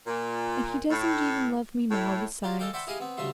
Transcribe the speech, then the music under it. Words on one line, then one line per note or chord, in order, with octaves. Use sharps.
"And he doesn't even love me now, besides."
A#2
A2
A2
F4 G4 D5
G#3 A4 F5 G5 D6
C5 D5 E5 F#5 G5 B5
E4 G4 G#4 D#5 F5 G#5
B3 C4
D2 G2 C#3 G3 E5 C6